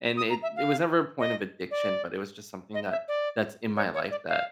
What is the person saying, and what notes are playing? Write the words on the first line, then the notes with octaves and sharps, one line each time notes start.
And it it was never a point of addiction, but it was just something that that's in my life that
D#6
A#5
E5
F5
D#5
D5
D#5
E5
D5
C#5
C#5
D5
F5